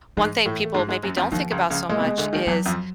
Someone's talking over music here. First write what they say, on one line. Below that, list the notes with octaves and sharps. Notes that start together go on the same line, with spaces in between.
one thing people maybe don't think about so much is,
G#2 E3 G#3
A2 A3
A3
G#2 G#3
G#2 G#3
F#2 F#3
F2 F3
D#2 D#3 F3
C#2 C#3
C#2 C#3
A#2 G#3
C3
B2
D2 D3
D#2 D#3
E2 E3 F#3
F2 F3